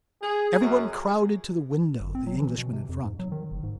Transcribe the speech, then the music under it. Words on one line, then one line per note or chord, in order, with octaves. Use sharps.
Everyone crowded to the window, the Englishman in front.
G#4
F#2
G1
C4
F#3
E3
B2
C3
F2
G#2
F#3
D#3
F#1
G#2